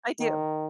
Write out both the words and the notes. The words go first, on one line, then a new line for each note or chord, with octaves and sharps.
I do.
D#3